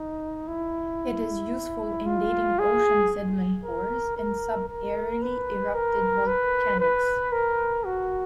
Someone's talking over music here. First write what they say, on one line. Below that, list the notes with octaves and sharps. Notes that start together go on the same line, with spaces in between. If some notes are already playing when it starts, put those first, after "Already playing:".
It is useful in dating ocean sediment cores and subaerially erupted volcanics.
Already playing: D#4
E4
F4
G#4
A#4
A#4
A#4
B4
A#4
B4
B4
A#4
F#4